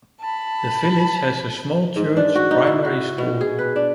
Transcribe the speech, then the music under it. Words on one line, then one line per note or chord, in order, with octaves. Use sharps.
The village has a small church primary school.
A5 B5
G#2
D4
F#4
D#4
E4
F#4
B2
G#4
B4
D4